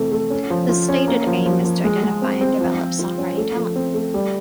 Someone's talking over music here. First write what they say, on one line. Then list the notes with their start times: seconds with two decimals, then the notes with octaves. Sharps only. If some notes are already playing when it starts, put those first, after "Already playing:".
The stated aim is to identify and develop songwriting talent.
Already playing: C3 E3 A3 C4
0.12 A3
0.30 C#4
0.50 F3
0.69 F4
0.89 C#4
1.07 A#3
1.27 F3
1.46 F3
1.65 F3
1.84 G#3
2.03 G#3
2.22 C4
2.41 C4
2.61 F3
2.79 F3
2.99 F4
3.18 C#4
3.37 A3
3.56 F3
3.76 C4
3.94 A3
4.14 G3